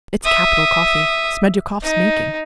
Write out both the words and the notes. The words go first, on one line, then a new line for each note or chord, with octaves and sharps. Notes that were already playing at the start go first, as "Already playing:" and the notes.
It's capital coffee: Smerdyakov's making.
E5 D#6
D#4